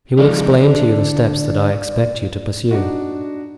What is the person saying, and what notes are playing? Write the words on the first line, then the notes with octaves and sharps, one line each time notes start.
He will explain to you the steps that I expect you to pursue.
D#3 F3 G#3 D5
D3
D4 D#4 F#4